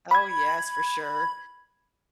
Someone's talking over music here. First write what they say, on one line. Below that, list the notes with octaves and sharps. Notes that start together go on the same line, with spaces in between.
Oh, yes, for sure.
B5 G#6